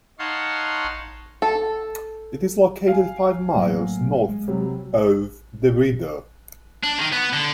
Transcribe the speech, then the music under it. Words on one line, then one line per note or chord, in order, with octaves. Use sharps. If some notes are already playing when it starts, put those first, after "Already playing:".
It is located five miles north of DeRidder.
D#4 C#5 F5 F#5 A5 C6
A4
F5 G#5
A2 F#3 A#3
G#3
C3 F#3 G3
D4
D#3
B3
D3